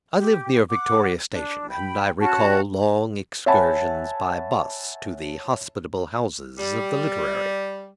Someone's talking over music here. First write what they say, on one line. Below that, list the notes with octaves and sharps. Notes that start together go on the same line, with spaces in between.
I lived near Victoria Station, and I recall long excursions by bus to the hospitable houses of the literary.
G4
F#5 D6
D4
G5 B5
C#4 F#4 A5
C#5 E5 F#5 G#5 A5 B5
G3